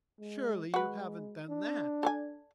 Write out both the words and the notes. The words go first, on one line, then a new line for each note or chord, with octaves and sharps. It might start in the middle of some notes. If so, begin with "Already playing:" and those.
"Surely you haven't done that?"
G#3
G#3 F#4 B4
D4
A4 D5 G#5